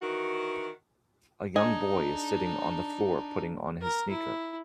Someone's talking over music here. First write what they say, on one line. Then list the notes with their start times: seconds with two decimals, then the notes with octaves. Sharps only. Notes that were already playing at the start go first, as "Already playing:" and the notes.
A young boy is sitting on the floor putting on his sneaker.
0.02 D#3 E3 F#4
1.56 D4 D#4 G#4 D#5 G#5
3.82 A#4
4.10 E4